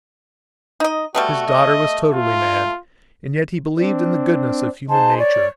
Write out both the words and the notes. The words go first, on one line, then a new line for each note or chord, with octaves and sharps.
His daughter was totally mad--and yet he believed in the goodness of human nature.
D#4 D#5
G3 A3 B3 F#4
D#5
F4
C4 D4
D#4 G#4 C5 A5
C#5 D5